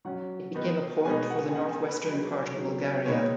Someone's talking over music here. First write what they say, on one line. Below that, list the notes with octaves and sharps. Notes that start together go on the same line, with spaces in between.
It became a port for the northwestern part of Bulgaria.
F#3 C#4 F#5
D#3 B3 D#4
B2 G#3 B3 D#4 G#5
F#5
G#5
C#3 B3 D#4 F#5
G#5
B4
F#3 D#4 B4
G#4
G#4
D#3 F#3 C#4
D#3 G#3 B3 D#4 C#5